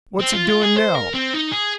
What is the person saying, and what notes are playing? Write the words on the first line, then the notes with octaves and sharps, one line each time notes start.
"What's he doin' now?"
C4
F4
F4
G#4
C5
A#4
C4
D#4
G#4